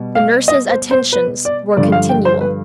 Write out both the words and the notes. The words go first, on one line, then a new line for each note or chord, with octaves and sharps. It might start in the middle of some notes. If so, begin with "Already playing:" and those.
The nurses' attentions were continual.
Already playing: B2 G3
F5
D#5
C5
C5
B4
D5
G2 D3 F3 D5
F5
G5
C5
B4